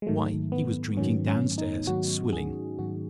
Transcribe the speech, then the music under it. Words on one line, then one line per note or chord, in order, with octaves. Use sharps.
Why, he was drinking downstairs--swilling.
G#3
G#2 D#3 F#3 A3
B3
G#2 D#3 F#3 C#4
C#4
D#4
G#2 D#3 F#3 F#4
G#4
G#2 D#3 F#3 F#4